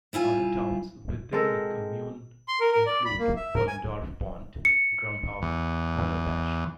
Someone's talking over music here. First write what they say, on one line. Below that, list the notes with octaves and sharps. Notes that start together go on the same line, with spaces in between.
Other towns within the commune include Bollendorf-Pont, Grundhof, Weilerbach.
G3 E4 F4 G#5
G#3 C4 A4 A#4
C6
A#4
A#4
D5
B5
A#3
E5
A#4
G#5
C#7
E2